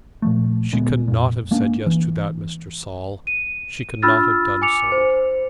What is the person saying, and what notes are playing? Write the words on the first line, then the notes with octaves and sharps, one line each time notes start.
"She cannot have said yes to that, Mr. Saul; she cannot have done so!"
A#2 F3 A3
D2 A#2 G#3 B3
F2 A#2
G#3 A#3 C#4 D4
E3
D#7
D4 F4 B5 E6 F6 A6
G#5 D6 C#7 F7
C5